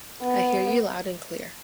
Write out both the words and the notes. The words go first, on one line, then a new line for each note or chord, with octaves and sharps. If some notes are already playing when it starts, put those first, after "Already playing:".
I hear you loud and clear.
B3